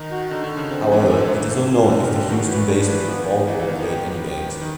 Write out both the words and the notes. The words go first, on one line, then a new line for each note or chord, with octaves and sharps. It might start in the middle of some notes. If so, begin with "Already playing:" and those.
However, it is unknown if the Houston Base Ball Club played any games.
Already playing: D#3 D#4
F#4
D3 D#4
D3
D#4
C#3
D3 C4
F3
E3 C4
D#3
D3 A4
D#3 E4
F5
F5
D3
C#3 C5
C#3
G4
D3
D#3 F#4
E3 B4
D#3 D4
F3
E3 B4
F3 B3
D#4
E3 D#4
E3
D#3 B3
G4
B4
G4
B4
D#3